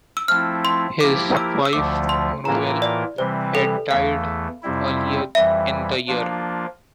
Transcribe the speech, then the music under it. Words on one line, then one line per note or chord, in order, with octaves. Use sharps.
His wife, Muriel, had died earlier in the year.
E6
F3 A3 C4 E4 F6
C6
F3 A#3 E4 G4 A#4 D6
E6
E6
D2 D3 F3 A3 D6
C6
A2 E3 A#3 F4 A#4 A#5
D5
C3 E3 G3 C4 C5
A4
E2 E3 A3 F5
F2 C3 G3 C4 E4
F2 E3 G3 E5
F3 A#3 D4 F4